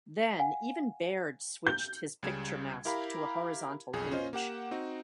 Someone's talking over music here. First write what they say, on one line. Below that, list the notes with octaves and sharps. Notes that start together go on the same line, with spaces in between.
Then even Baird switched his picture mask to a horizontal image.
F5 F#5 G#5
G6
C#2 C#3 G3 G#6 E7
E4 G4 A#4 F5 A#5 B5
B1 F2 G#4
C#4 F4 C5 D#5
A#3 G4 F#5 E7
C4 D#4 F#4